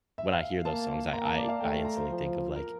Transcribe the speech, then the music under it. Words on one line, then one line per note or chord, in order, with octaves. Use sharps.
when I hear those songs, I I I instantly think of like,
E5
F5
A#3 A5
A#3 A#5
A5
D5
F5
A3 G5
A#5
C5
F3
A#4